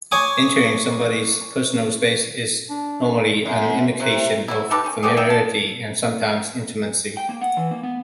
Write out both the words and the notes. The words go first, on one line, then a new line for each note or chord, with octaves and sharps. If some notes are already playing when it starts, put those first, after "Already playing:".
Entering somebody's personal space is normally an indication of familiarity and sometimes intimacy.
C#5 G#5 D6 D#6
D4
F#2
C3
B2 F#3 E4
D#4 G4 A4 B4
D#3 C#4
A3 B3 G4 G#4
A#4 D#5 E5 G5
A5
G5
A#3
F#5
E3
A#3
B3